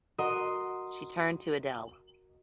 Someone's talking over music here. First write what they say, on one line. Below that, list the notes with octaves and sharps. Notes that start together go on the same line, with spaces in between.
She turned to Adele.
F#4 A#4 D#5 C6 D#6